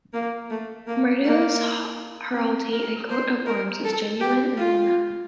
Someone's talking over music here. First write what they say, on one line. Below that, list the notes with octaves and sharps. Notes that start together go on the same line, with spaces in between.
Medeiros heraldry and coat of arms is genuine and well known.
A#3
A3
A#3
A#3
C4
A#4
C5
A#4
A4
G4
F4